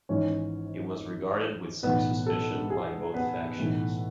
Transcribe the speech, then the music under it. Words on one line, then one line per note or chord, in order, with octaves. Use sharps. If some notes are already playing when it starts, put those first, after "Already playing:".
He was regarded with some suspicion by both factions.
G#1 G#2 E3 C#4 C#5
B1 A2 E3 B3 B4
A4
G#4
B3 B4
B1 A2 E3